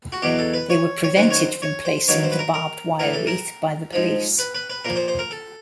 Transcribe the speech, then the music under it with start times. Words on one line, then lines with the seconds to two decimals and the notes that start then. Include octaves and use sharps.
They were prevented from placing the barbed wire wreath by the police.
0.12 F#4
0.22 E2 B2 F#3 G4
0.39 A4
0.54 B4
0.70 C#5
1.04 C#5
1.16 F#2 D#3 F#3 C5
1.30 C#5
1.38 C5
1.62 C#5
1.85 C5
2.08 G2 D#3 F#3 C#5
2.24 C5
2.32 B4
2.39 A#4
2.54 A#4
3.00 A2 E3 A#4
3.13 A4
3.27 A#4
3.93 G#2 F3
4.39 B4
4.55 B4
4.70 B4
4.85 A#2 F3 A#4
4.96 C5
5.08 C5
5.19 A#4
5.31 A4